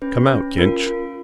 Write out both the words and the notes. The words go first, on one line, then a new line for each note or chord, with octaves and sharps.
Come out, Kinch.
C#4 B4
C#4
F4 A#4
F4